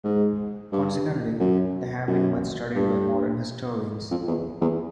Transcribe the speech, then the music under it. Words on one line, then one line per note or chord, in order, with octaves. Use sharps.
Consequently, they have been much studied by modern historians.
G#2
G2
F#2
F#2
G2
F2
E2
E2